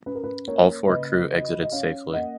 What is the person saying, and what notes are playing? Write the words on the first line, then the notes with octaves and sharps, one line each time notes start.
All four crew exited safely.
C#4 B4
A#4
B4
A#3 A#4 C#5
C#3 B4 D#5
F#3
D#5
C#4 C#5 F5
A#3 D#5 F#5